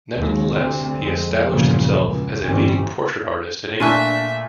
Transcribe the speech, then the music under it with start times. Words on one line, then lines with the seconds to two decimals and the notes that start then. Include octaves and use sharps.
Nevertheless, he established himself as a leading portrait artist in England.
0.15 D#2 F#3 G#3
0.51 D2 C3 C4
0.97 F2 G#3 C4
1.49 G1 E2 A#2 C#3 F3 F#3
2.01 C#2
2.44 G1 A2 E3 G3 C4 C#4
3.80 A#2 A3 D4 E5 G#5 C#6 F#6